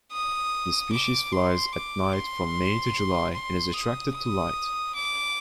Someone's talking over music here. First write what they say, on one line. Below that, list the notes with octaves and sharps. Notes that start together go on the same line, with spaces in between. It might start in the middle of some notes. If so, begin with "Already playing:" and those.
The species flies at night from May to July and is attracted to light.
D#6
D6
C6
D6
C6
C6
D#6
D#6
D6